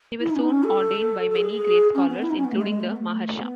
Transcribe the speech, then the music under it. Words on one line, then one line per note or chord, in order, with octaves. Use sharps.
He was soon ordained by many great scholars, including the Maharsham.
E4
D#4
C#4
D#4
C#4
A4
A4
G#4
C#4
B3
E4
D#4
C#4
B3
A3
G#3
G#3
A3
B3
A3
B3